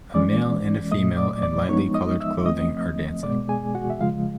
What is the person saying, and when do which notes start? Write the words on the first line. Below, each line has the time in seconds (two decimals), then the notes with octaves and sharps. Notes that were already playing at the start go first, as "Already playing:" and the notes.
A male and a female in lightly colored clothing are dancing.
0.14 E3 G#3 C#4 D5 D6
0.92 A#2 F#3 A3 D#5 D#6
1.17 D5 D6
1.43 D5 D6
1.69 F3 G#3 B3 D#4 C#5 C#6
1.95 D#5 D#6
2.20 E5 E6
2.46 F3 A3 C4 D#5 D#6
3.23 B2 G#3 B3 D5 D6
3.49 G#4 G#5
3.75 F#4 F#5
3.90 E5
4.00 C#3 F3 G#3 F4 F5